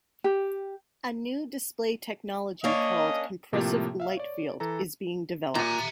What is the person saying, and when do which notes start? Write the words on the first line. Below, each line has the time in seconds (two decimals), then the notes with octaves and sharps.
A new display technology called "compressive light field" is being developed.
0.24 G4
2.64 A#3 C#4 D4 D#5
3.53 A2 C3 F3 A#3 G4
4.00 E5 F5
4.17 C#5 D5
4.60 E3 A4 A#5
5.55 A#2 E5 A#5